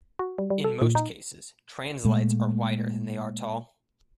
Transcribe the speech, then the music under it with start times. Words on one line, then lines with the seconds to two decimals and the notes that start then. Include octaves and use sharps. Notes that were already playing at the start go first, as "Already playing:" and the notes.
In most cases, translites are wider than they are tall.
0.19 F#4
0.38 G3
0.50 G3
0.64 A4
0.82 A#2
0.95 D#4
2.05 A#2 G#3 A3